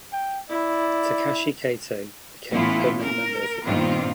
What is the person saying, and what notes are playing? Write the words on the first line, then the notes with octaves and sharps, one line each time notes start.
Takashi Kato became a permanent member of the band.
G5
E4 D5
A2 E3 B3 C#4 E4 F4
A#4
G2 A#2 D#3 B3 C4 F4